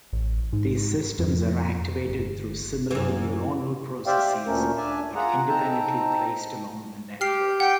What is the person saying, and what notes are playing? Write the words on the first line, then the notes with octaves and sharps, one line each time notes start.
These systems are activated through similar neuronal processes but independently placed along the network.
A1
G#2
F2
G1
F#2 E3
G4 C5 D5 E5 F5 G5
D2 A#2 A3 C#4 A#4
D4 D5 E5 G#5 A5
F4 G#4 F#5 A#5
C4 D#4 A4 G5 A5 A#5
G4 G5 F6 C7
F#5 G5